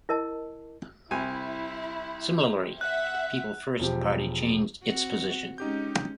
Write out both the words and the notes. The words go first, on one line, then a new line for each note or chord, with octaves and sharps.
Similarly, the People First Party changed its position.
E4 A#4 D#5 A5
C2 E4 G#5
E5 F#5 F#6
E1 F3 G4
C4 F#4
G#3 C#4 D#4 G4 G6